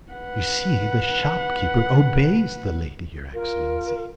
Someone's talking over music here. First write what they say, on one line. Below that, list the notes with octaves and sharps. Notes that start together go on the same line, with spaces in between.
"You see, the shopkeeper obeys the lady, your Excellency."
B4 F#5
F4 A#4